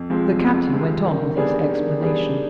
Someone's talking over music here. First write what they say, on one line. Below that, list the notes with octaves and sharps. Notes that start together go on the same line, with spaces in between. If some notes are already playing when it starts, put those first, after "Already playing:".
The Captain went on with his explanation.
Already playing: F2
C3 F3 G#3 C4
F2
C3 F3 G#3 C4
D#3
G3 B3 D4 G#4
D#3
G3 B3 D4 G#4